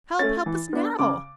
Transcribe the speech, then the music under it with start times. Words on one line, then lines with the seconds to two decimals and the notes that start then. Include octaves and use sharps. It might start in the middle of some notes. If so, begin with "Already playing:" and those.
Help, help us now!'
0.19 A3 C#4 A6
0.46 E3
0.73 B3 D4
0.99 C#3 D6